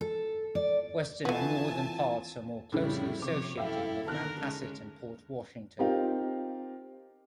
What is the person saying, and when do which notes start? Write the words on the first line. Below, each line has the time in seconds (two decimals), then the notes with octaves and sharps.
Western and northern parts are more closely associated with Manhasset and Port Washington.
0.01 A4
0.55 D5
1.25 E3 A3 B3 C4 F4 G#5 A5
2.72 F2 A2 C#3 G3 E4
3.22 C3 F3 C#5 D6
3.58 F#2 E4 A4 E5 F5 G5
4.07 D3 D#3 A#4 A5 F6 F#6
4.41 G#3 C#4
5.79 C4 D#4 F4 G4 A#4 F5